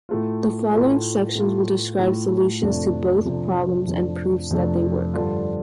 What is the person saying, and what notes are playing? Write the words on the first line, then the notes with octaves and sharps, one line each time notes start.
The following sections will describe solutions to both problems and proofs that they work.
A2 A3 F4
A2 A3 F4
A2 A3 F4
A2 A3 F4
F2 C3 F3 A3 D4
F2 C3 F3 A3 D4
F2 C3 F3 A3 D4
F2 C3 F3 A3 D4
G2 D3 F3 D4 F4